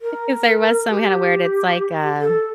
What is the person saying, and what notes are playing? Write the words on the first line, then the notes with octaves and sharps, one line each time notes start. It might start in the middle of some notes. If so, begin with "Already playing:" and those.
'cause there was some kinda word, it's like, uh
A#4
G4
A4